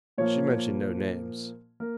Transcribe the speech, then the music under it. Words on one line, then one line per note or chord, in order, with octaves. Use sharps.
"She mentioned no names."
A#2 F3 A#3 C#5
A#3 A#4